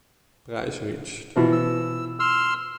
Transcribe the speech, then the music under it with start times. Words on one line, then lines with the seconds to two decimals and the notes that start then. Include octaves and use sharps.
Price reached.
1.36 B2 E3 F3
1.52 E6
2.20 C6 E6 F6